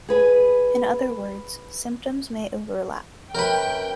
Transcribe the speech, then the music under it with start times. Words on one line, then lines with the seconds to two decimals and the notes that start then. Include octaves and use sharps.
In other words, symptoms may overlap.
0.09 G#4 B4 G#5
3.35 F#2 A#4 B4 G5